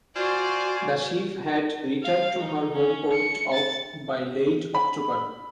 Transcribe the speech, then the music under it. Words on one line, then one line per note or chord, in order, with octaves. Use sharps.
The ship had returned to her home port of by late October.
F4 F#4 C5 D5 G#5
F5
D#4
C#4
C#7
A6
B5